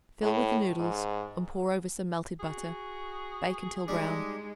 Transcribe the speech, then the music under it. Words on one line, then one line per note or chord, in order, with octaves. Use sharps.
Fill with the noodles and pour over some melted butter. Bake until brown.
A2
G#2
F#4 G#4
G3 G#3 D4 D#4